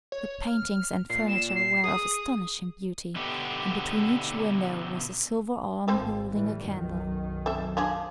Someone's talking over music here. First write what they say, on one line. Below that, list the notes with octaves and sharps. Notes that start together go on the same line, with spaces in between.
The paintings and furniture were of astonishing beauty, and between each window was a silver arm holding a candle.
C#5
F6
A#2 C7
E7
C7
G#4 D#6
B2 D3 B3 G4
G#1 F3 C4 C5
A2 E3 G3
B1 F#2 D#3
C4 A4 E5
F3 D4 G#4